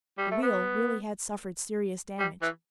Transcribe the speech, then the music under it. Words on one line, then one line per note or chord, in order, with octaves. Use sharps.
The wheel really had suffered serious damage.
G3
A3
B3
G3
E3